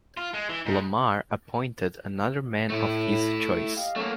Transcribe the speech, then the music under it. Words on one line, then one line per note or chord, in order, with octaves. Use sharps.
Lamar appointed another man of his choice.
F4
G#3
E3
G#2
A2 A3 E4
G4 D#5 F5
F#3 A3 A#3 C#4